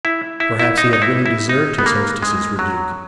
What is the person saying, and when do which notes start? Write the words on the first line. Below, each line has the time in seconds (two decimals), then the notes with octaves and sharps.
Perhaps he had really deserved his hostess' rebuke.
0.05 E4
0.40 E4
0.59 E4
0.78 D#4
0.93 D#4
1.02 E4
1.26 E4
1.49 D#4
1.79 B3
1.86 A#3
2.22 G#3
2.59 F#3